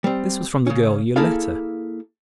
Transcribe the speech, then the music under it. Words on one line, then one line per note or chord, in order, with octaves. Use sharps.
This was from the girl Yoletta.
G3 C4
C#3 C#4
A#3 E4 G#4 A4 F5